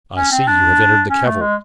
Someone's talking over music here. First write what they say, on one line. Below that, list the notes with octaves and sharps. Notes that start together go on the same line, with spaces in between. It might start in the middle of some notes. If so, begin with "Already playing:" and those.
I see you have entered the cavalry.
C#4
C4
D4
C#4
A3
G#3